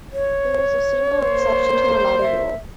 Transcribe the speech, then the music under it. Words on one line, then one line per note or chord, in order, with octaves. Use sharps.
There is a single exception to the latter rule.
C#5
A#3 C5
E5